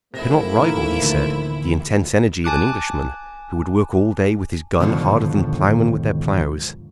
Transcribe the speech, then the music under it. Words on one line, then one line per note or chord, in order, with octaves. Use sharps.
He could not rival, he said, the intense energy of an Englishman, who would work all day with his gun harder than ploughmen with their ploughs.
C3 F3 A3 A#3 E4 E5 A#6
A2 D#3 E3 A#4
D2
G#5 A5 D6 F#6
D#2 G#2 B2 D3 F3